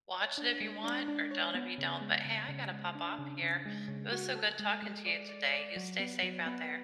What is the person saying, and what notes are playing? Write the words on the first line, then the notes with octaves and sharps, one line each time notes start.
Watch it if you want or don't if you don't. But, hey, I gotta pop off here. It was so good talking to you today. You stay safe out there.
C#5
D4
G#3
D4
D4
C#5
B3
C#3
G#3
C#3
C#3
G#3
D4
C#3
C#3
G#3
C#3
F#4
A4
G#3
G#3
D5
D5
D5
F#3
B3
F#3
B3